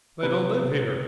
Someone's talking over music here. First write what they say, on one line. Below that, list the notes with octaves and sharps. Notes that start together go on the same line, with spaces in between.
They don't live here.
C3 B4
C3